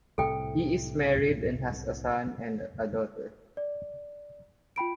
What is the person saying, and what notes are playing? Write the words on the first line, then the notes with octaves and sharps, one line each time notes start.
He is married and has a son and a daughter.
C2 A2 C3 A4 G5
D5
F4 G5 B5 D7